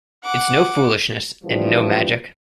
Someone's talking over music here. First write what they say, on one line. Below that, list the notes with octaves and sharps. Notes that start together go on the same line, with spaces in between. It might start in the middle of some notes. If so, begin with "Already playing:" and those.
It's no foolishness, and no magic.
F#5 D6
A#1 E3 F3 G3